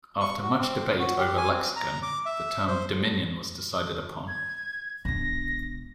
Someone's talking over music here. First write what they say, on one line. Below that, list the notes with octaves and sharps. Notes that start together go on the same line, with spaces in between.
After much debate over lexicon, the term 'Dominion' was decided upon.
C#6
F#4
C4
F#4
G4
G#5
C4
A#5
D6
E5
C5
G#6
E1 D4 A#6